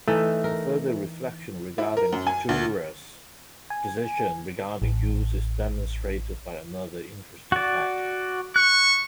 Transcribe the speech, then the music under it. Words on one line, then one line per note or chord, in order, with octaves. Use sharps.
A further reflection regarding Petliura's position regarding Jews is demonstrated by another interesting fact.
E3 A3 D#4
A#4
E4
A#4
F#2
G#5
D2
G#5
A1
F#4 D5
C#6 F#6